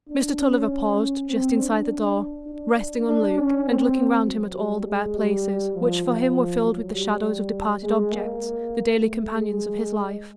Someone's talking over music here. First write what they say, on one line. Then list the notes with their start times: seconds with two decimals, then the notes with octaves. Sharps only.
Mr. Tulliver paused just inside the door, resting on Luke, and looking round him at all the bare places, which for him were filled with the shadows of departed objects,--the daily companions of his life.
0.09 D4
0.39 C#4
1.29 C4
1.58 D4
1.87 D4
2.46 D4
3.07 D4
3.37 C#4
3.67 C4
4.26 F#3
4.55 G3
4.86 G#3
5.16 G3
5.75 F3
6.05 F3
6.64 F#3
6.93 G3
7.82 G#3
8.12 A#3
9.02 A3
9.32 G#3